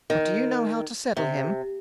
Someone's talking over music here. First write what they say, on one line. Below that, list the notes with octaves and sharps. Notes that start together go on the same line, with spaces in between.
'But do you know how to settle him?
D#3
C3